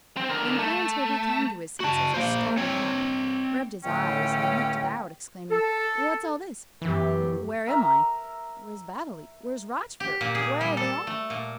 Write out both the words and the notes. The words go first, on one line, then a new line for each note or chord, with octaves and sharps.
When Clarence Hervey came to his senses he started up, rubbed his eyes, and looked about, exclaiming--"What's all this?--Where am I?--Where's Baddely?--Where's Rochfort?--Where are they all?"
C4
D3 A#4
A3
F#4 A5
A#3 C5
C4 C#5
C#2 A2 D3 A3 C#4 G5
A4
F#2 E3 B3 G4
A#4 E5 A#5
G4
A#2
G#4
G3
A4
A3
A#2